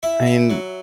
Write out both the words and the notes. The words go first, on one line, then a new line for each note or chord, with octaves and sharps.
I in
E4 E5
E4
F#3